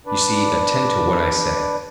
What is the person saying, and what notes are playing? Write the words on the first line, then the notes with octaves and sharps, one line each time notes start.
You see, attend to what I say.
D4 B4 D5